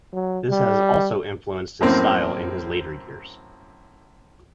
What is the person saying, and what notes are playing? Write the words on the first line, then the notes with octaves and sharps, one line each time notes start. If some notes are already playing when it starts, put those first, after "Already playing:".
This has also influenced his style in his later years.
F#3
G3
F#2 A2 A#3 C4